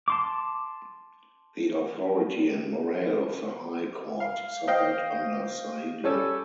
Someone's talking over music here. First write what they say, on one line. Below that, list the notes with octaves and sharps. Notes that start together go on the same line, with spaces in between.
The authority and morale of the High Court suffered under Saidi.
A5 C6 D6
F5
C5 D#5 F5 G5
G3 C#4 A4